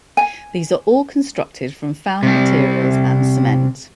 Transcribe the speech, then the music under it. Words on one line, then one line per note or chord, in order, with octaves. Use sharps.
These are all constructed from found materials and cement.
G#5
C3 G3